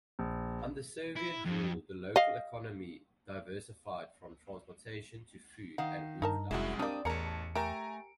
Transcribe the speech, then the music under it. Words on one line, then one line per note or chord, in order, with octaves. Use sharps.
Under Soviet rule, the local economy diversified from transportation to food and wood production.
A#1
E4
F2
D#5 F5
D#3 F5 F#5
G2 D#4 A#4 A5
F1 C2 F#2 G#3 E4 F#4
G3 A#3 C4 D4 D5 D#6
A1 E2 G#4 A#4 C#5 A5 A#5 C#7
A3 G4 A#4 G#5 A#5 D7